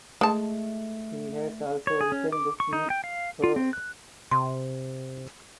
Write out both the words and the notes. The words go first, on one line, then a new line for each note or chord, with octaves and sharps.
He has also written books in prose.
G#3 A3 A5
C#5
G#4
C#4
D6
C#6
D#4
G5
F5
F4
C4
F#6
C3 C6